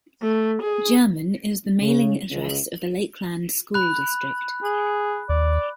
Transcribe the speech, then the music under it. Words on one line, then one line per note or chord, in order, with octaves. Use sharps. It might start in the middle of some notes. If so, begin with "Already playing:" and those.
Jermyn is the mailing address of the Lakeland School District.
A3
G#4
C#3
C#2
B5 F#6
G#4
D#2 D5